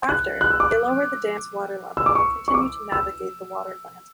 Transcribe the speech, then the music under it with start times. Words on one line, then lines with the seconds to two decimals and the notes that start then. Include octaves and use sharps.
After, they lower the dam's water level and continue to navigate the water plant.
0.09 F#6
0.41 F#6
0.50 E6
0.60 D6
1.97 E6
2.06 D6
2.15 C#6
2.48 C#6
2.54 D6
2.92 E6